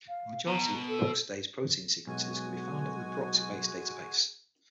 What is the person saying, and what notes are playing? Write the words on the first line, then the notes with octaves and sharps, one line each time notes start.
A majority of peroxidase protein sequences can be found in the PeroxiBase database.
F5
B2 A#5
A4
B1 G#3 F#4 G#5